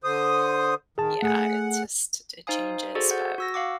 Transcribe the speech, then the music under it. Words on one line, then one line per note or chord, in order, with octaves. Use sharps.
yeah, it just it changes, but
D3 C5 D#6
D#3 G#4 A5
A3 G#4 F#5 G#5
D#4 C5 F5 G#5 D#6
F#4 G#4 A4 C5 D5
F#5 G6
F#4 E6 A#6
F5 F#5 D6